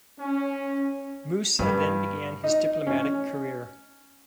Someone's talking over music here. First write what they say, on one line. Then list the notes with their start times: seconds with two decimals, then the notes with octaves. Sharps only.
Moussa then began his diplomatic career.
0.19 C#4
1.59 G2
2.44 D#4
2.87 C#4